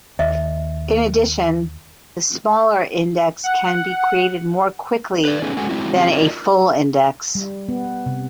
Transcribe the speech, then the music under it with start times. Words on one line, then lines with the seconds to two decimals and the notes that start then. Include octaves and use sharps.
In addition, the smaller index can be created more quickly than a full index.
0.19 D#2 D#5 E5
3.44 F#5
5.25 B4 D5
5.42 A3 B3 C#4 D#4 G#4
5.57 G#3 F#4 A4 F#5 G#5
5.69 G#3 C4 E4 F#4
5.96 C4 C#4 G4 G#4
6.12 D#4 F4 F#4 A#4 D5 D#5
7.35 G3
7.69 B3
8.06 C3